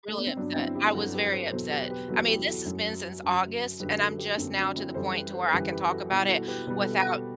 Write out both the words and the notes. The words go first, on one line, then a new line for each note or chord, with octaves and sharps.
really upset. I was very upset. I mean, this has been since August and I'm just now to the point to where I can talk about it without
A3
B3
C4
G2 F#3 B3 D4
C4 E4
E4 G4
G2 F#3 F#4 A4
G4 B4
A4 C5
E2 B2 F#3 A4 C5
G4 B4
C5
G4 B4
E2 B2 F#3 F#4 A4
E4 G4
F#4 A4
F#2 F#3
F#2 F#3
F#2 D3 F#3 G4 B4
F#4 A4
G4 B4
F#2 D3 F#3 A3 C4
D4 F#4
C4 E4
F#2 E3 G3 A4 C5
G4 B4
A4 C5
C5
F#2 E3 G3 G4 B4
G4 B4
F#4 A4
B2 G3 E4 G4
F#4 A4
G4 B4
B2 G3 B4
A4
G4
F#4 A4